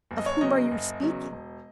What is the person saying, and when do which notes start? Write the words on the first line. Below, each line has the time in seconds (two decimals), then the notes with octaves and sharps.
Of whom are you speaking?
0.11 F#1
0.18 D#5
0.26 C#5
0.41 E2 C#3 F#3 D#5
0.56 D#5
0.71 F#1
1.01 E2 C#3 F#3
1.32 E1